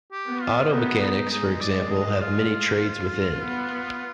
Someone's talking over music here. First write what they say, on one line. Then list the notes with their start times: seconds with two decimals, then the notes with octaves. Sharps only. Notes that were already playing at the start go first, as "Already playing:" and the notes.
Auto mechanics, for example, have many trades within.
0.12 G4
0.27 B3
0.42 F4
0.71 B3 D#4
1.01 D#4
1.16 G#3
1.31 D#4
1.61 D5
1.91 D#5
2.21 F4
3.40 B3